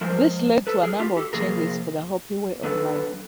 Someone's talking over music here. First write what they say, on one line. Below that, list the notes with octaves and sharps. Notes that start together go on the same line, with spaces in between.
This led to a number of changes for the Hopi way of life.
F3 G#3 A#4 C5
A4 B4
G#4 A#4
F4 G4
G4 A4
C3 F3 A#3 G#4 A#4
D3 F#3 B3 A4 B4